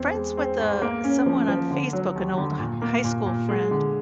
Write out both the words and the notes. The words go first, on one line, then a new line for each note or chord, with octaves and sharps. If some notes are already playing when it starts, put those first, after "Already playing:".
friends with, uh, someone on Facebook, an old h high school friend
Already playing: E2 C4
G#3
C4
G#2
A#3
C#4
F3
F3
D3
F#3
D#2
D3
A#2
A#3
A#2
A#2
G#3
D3